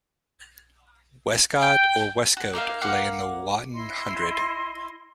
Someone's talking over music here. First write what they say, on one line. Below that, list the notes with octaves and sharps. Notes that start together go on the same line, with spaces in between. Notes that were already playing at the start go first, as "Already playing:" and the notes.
Westcott or Westcote lay in the Wotton Hundred.
G5
F#4
A#3 D#4 E5 F5
A#3 F5 F#5 F6
E4 D#5 C6